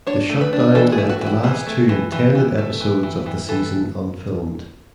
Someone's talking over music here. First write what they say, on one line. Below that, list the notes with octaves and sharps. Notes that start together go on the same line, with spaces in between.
The shutdown left the last two intended episodes of the season unfilmed.
D4 C#5
A3
B4
D4
E3 A4
G#4
A3
F#4
E3
F#4
E3 G#4
A3
E3
E3
E3
A3
E3
E3
E3
E3 A4